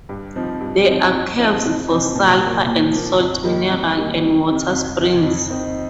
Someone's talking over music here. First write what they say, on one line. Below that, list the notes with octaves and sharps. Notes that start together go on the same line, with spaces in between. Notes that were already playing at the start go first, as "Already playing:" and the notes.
There are caves for sulphur and salt mineral, and water springs.
G2
F3 C4 D#4
G2
F3 C4 D#4
F2
F3 C4 D#4
F2
F3 C4 D#4
A#2
F3 A#3
A#2
F3 A#3
F2
D#3 G3 A#3
F2
D#3 G3 A#3
F2
C3 D#3
F2
C3 D#3
F2
D#3 C4 D#4